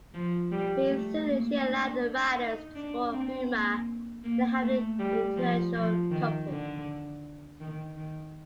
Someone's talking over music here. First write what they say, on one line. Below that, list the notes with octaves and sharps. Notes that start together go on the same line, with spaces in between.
Being Zulu, she allowed the writers to explore humour in having an interracial couple.
F3
G3
A3
A#3
D4
D#4
D4
C4
A#3
A#3
A3
G3
F3
F3
D#3
D3
D#3
D#3